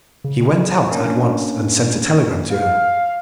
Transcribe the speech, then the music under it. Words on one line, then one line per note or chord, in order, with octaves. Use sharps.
He went out at once and sent a telegram to her.
C#3
A#3 C#4 D4
F5